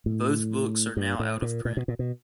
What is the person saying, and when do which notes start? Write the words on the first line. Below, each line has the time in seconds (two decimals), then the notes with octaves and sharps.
Both books are now out of print.
0.06 A2
0.97 G2
1.20 A2
1.42 A#2
1.65 A#2
1.77 B2
1.88 A#2
1.99 B2